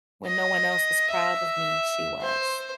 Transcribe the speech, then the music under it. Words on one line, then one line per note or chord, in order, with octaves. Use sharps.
When no one else was proud of me, she was.
D#5
E5
C5